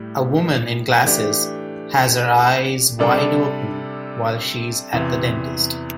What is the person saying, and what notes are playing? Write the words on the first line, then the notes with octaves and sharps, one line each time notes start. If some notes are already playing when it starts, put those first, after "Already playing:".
A woman in glasses has her eyes wide open while she is at the dentist.
Already playing: A2 G3 G4
E3 A3 D4 G4
C3 G3 D4 A4 D5
E2 C3 E3